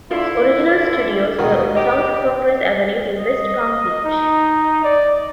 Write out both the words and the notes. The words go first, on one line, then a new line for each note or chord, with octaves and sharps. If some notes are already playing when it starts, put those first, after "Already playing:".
Its original studios were on South Congress Avenue in West Palm Beach.
D3 E4 F4 F5
D#2 B2 D#3
G4 D#5
D#5
D#4
D5